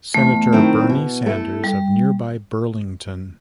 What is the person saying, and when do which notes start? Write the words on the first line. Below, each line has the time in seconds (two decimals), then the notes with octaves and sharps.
Senator Bernie Sanders of nearby Burlington.
0.14 E2 A3
0.53 D#3 F#3 C4 E4
0.89 B2
1.26 A3 E4 A4
1.64 G3